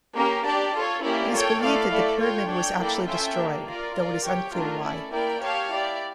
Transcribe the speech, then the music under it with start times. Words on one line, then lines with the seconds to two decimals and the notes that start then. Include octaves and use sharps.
It is believed that the pyramid was actually destroyed, though it is unclear why.
0.15 A#3 C#4 G4 A#4
0.45 D4 G4 D5 A5
0.73 F4 A4 C#5
1.03 A#3 C#4 E4 G4 D5
1.32 F4 A4 C#5 G5
1.61 A3 E4 A4 D5 F5
1.90 A3 E4 A4 D5
2.20 F4 C#5 G5
2.49 D4 A4 C#5 G5
2.79 A#3 E4 A4 D5 G5
3.08 C#4 F4 A4 E5 G5
3.36 A#3 D4 G4
3.65 F4 A#4 D5
3.95 F4 A#4 D5
4.24 G4 C#5 G5
4.54 A3 D4 F4 A#4
4.82 C#4 E4 A4 D5
5.12 A#3 E4 A#4 D5 G5
5.41 G4 C#5 F5 A5
5.70 E4 G4 D5